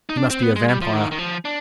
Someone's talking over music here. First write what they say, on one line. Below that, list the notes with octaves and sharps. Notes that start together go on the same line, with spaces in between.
"He must be a vampire."
D#4
D4
C4
B3
G#3
G3
F3
D#3
D#3
F3
D4